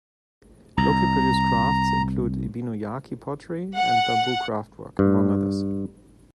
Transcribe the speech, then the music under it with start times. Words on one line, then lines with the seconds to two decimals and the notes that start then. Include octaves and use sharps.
Locally produced crafts include "Ebino-yaki" pottery and bamboo craftwork, among others.
0.77 C2 A#5
3.75 F#5
4.99 G2